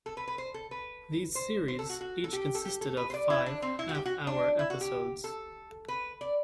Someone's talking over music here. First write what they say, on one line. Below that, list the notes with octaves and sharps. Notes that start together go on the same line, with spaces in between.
These series each consisted of five half-hour episodes.
A4
B4
B4
C5
A4
B4
C5
C5
A4
F#4
F#4
A4
G4
A4
G4
A4
B4
C5
D5
E4
D4
C4
E4
F#4
G4
F#4
D4
E4
F#4
G4
A4
B4
D5